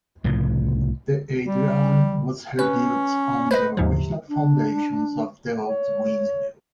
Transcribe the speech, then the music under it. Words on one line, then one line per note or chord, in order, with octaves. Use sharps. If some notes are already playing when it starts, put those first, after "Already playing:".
De Adriaan was rebuilt on the original foundations of the old windmill.
C2 A2 C#3 F3
G3
C#4 B4
B4 C5 D#5
D#2 G#2 C3 F3
D4
C#5